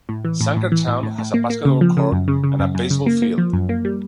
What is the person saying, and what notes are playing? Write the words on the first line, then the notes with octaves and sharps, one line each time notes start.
Sankertown has a basketball court, and a baseball field.
A2
E3
A2
A2
E3
A2
A2
A2
A#3
A#3
C#3
F3
C#3
F#2
C#3
C#3
F#2
F#2
C#3
A#3
A#3
F3
F#2
A#3
G3